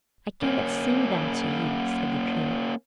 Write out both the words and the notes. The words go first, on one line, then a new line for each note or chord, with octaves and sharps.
"I cannot sing them to you," said the dream.
A#3 C#4